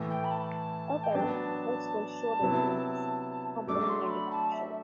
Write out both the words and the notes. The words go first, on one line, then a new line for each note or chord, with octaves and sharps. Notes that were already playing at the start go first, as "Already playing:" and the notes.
Other, mostly shorter lengths have been manufactured.
Already playing: A2 E3 A3
G5
B5
A5
G5
F#3 B3 D4 A5
C3 F#3 B3 E4
F#3 A3 D4 D6
C6
B5
A5
E5